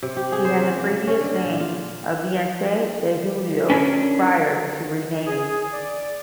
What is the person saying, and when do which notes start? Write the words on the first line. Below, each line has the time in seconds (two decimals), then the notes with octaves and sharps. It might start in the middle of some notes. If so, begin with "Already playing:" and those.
She had the previous name of Veinte de Julio prior to renaming.
0.03 C3
0.17 G4
0.32 G#4
0.45 C5
0.60 C#4
0.77 A#3
0.89 C3
1.07 C#4
1.20 D3
1.44 A#2
1.60 F4
3.70 C#4 D4 E4 A#4 C#5
5.27 G#4
5.72 D5